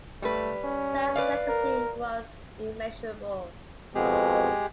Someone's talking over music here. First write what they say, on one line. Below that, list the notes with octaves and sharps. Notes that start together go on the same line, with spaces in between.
Seldes' legacy was immeasurable.
G3 A3 B4
C#4
B4 D5 F5
A#4
F2 B2 G#3 G4 G#4